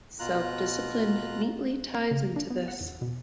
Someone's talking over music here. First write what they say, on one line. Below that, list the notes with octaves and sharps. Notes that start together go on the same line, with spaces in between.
Self-discipline neatly ties into this.
B2 F4 A#5 F#6
C#3
D4
B3
F#5
E2
B2